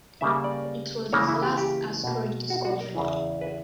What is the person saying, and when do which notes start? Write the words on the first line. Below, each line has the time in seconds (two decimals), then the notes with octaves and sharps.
It was his last asteroid discovery.
0.21 C#3 G3 A#3 E5
0.44 D5
1.12 C#3 E3 A#3 C#5
1.28 E4
1.43 G4
1.58 G4
2.04 B2 A#3
2.50 F#4
2.65 F#4
2.81 A#4
2.95 E2 C#3 E3
3.41 B4